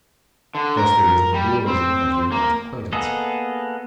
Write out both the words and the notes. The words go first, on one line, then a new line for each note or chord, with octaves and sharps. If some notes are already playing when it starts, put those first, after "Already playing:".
Thus there is no dualism as regards acquaintance.
D3
A#4
G3
C4
A#3
A#3 B3 G#4 A4 D#5